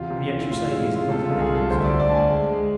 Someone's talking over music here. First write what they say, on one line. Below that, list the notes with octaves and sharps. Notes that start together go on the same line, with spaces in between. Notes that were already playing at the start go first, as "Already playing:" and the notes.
"And yet you say he is not a medical student?"
Already playing: E2 C3 F4
C3
E3
E4
A2 F4
E4
G#3
F4
E4
G#3 F4
C3 A4
C2 F4
G#4
C2 A4
D2 C5
E5
D5
D2
D5
D2 A5
G#5
G#3
G#3